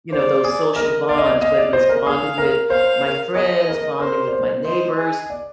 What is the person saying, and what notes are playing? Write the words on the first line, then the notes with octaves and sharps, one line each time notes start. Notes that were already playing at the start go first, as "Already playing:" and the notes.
you know, those social bonds, whether it's bonding with my friends, bonding with my neighbors,
C5 D5
G#4
A#4 D#5
D5 F5
D#5
D5
D#5 F5
D5
C5 D#5
A#4
G#4 F5
A#4
C5 F5
A#4
G#4 D#5
A#4
A#4 C5
D5
C5
C5 D#5
G#4
D5